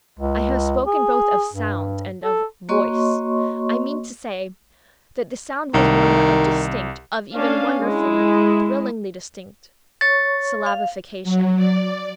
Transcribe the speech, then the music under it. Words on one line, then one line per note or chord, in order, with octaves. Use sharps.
I have spoken both of "sound" and of "voice." I mean to say that the sound was one of distinct--of even wonderfully, thrillingly distinct--syllabification.
C#2
G#4
G2
A4
A#3 F#4 C#5 D#5 C6 C#6
C2 D#3
C#4 D4 F5
G#3 E4
C#5 C#6 A6
F5
F#3
D5